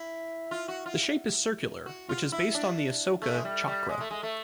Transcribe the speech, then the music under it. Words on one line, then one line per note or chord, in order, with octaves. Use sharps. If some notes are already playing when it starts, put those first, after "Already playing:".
The shape is circular, which is based on the Ashoka Chakra.
Already playing: E4
F4
F#4
F4
F#4
F4
E4
D4
A3
G#3
G3
G3
G#3
A3
G#3
A3